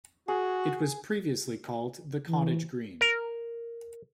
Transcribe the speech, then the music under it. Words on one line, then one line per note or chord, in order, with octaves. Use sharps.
It was previously called "The Cottage Green".
F#4 G#4
E3
A#4